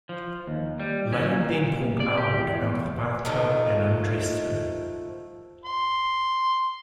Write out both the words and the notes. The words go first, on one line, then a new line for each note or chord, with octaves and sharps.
Lane then pulled Arwood out of the bathtub and undressed her.
F3
D#2
G3
C#4
A#2
D5
G4
E2
D#3 F3 A3
C6